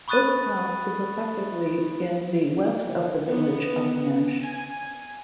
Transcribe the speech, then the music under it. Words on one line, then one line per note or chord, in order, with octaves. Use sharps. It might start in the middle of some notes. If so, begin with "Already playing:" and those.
Uskmouth is effectively in the west of the village of Nash.
B5 C#6 D#6 F#6 A6 D#7
B3
G#5